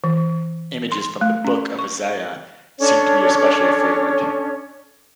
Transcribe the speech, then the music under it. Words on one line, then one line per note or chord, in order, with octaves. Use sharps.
Images from the Book of Isaiah seem to be especially favoured.
E3
C6
A3
C#4
C#6
C#4 D4 A4 C#5